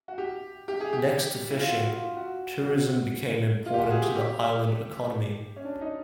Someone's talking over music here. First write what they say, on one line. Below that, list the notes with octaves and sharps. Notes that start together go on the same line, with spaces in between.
Next to fishing, tourism became important to the island economy.
F#4
G4
G4
G#4
G4
G4
G4
E4
F4
F#4
F4
F#4
F#4
F4
G4
F#4
G#4
G4
G4
C#4
D4
D#4